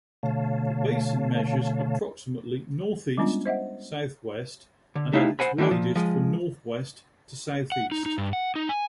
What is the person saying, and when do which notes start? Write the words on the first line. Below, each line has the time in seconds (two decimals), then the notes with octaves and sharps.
The basin measures approximately northeast-southwest and at its widest from northwest to southeast.
0.23 B2 D3 A3 C#5 F5 A5
3.18 G3 G#3 B3 C#4 D4 F4
3.46 C5 D#5 E5 F#5
4.95 D3
5.13 A3 D#4 E4 G4 F5
5.39 C5 F#5 G#5 B5
5.58 D#3 E3 A3 D4 E4
5.71 A#2 F3
5.95 F3 G#3
7.72 F#5
7.92 D#4
8.06 D#4
8.18 G2
8.33 F#5
8.56 D#4
8.69 G#5